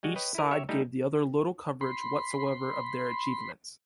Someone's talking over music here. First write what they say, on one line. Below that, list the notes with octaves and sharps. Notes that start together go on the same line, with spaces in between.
Each side gave the other little coverage whatsoever of their achievements.
G3 G#3 F#4
B4 C#5 D#5 G5
E4 A#4
G4 C#5 E5
G3 A3 D#4 E4 G#4
B5 C6